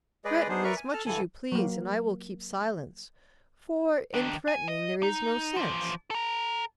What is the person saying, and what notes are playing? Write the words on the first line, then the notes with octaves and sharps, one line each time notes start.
Threaten as much as you please, and I will keep silence; for in threatening there is no sense.
G#3 G#4 B4 D5 D#5
B3 D4 D#4 G#4 C5
A#4 B4 D5 E5 C#6 F6
G#5
A4 A5 F6
G2 D3 E3 A4 G#5
F#3 A#3
D#3 D4
G#5
D#5
D#4
E3 F3
A4 A#5